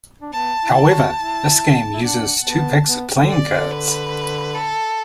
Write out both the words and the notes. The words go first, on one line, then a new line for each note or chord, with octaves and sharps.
However, this game uses two packs of playing cards.
D4
B3 A5
E4
A5
F#4
E4
E4
D4 F#5
B3 A5
B3
D3
D5
D3
B4
A4